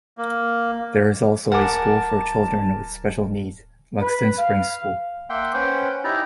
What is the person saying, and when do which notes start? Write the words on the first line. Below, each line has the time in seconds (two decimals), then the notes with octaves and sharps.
There is also a school for children with special needs, Lexden Springs School.
0.18 A#3
1.52 D1 A#4 F#5 G#5 A5 D6
4.01 B4
4.38 F5
5.30 A#3 E5 F#5 G5 C6
5.54 C#4 B4 C5 F#5 G5
6.04 D#4 E4 G4 D5 A#5